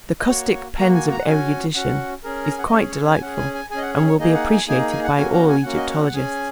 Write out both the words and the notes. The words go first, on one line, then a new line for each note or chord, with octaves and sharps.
'The caustic pens of erudition' is quite delightful and will be appreciated by all Egyptologists.
D#5
A#3 F#4 C#5
A#3 F#4 A#5
G#5
A#5
F#5
C#4 F#4 G#5
C#4 F#4 F#5
C#4 G#4 A#4
A#5
G#5
F#5
D#5
C#4 G#4 C#5
C#5
G#5
C#4 G#4 F#5
G#5
G#5
C#4 G#4 D#5 G#5
F#5
C#5
C#5
A#3 D#4 G#4 D#5
F#5
G#5
A#3 D#4 G#4 G#5
G#5
F#5
A#3 C#4 F#4 G#5
A#5
G#5
A#3 C#4 F#4 F#5
D#5
F#5
F#5
C#4 G#4 G#5